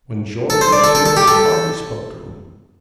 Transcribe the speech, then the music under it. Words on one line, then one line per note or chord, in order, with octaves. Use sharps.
When George was here, I hardly spoke to him.
A4
C5
D5
A4
A4
A4
G4
A4